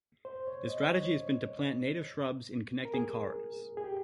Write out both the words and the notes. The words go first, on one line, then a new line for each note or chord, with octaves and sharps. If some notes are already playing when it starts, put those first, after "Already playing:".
The strategy has been to plant native shrubs in connecting corridors.
C5
C#5
D#5
C#5
A#4
G#4
G#4
G4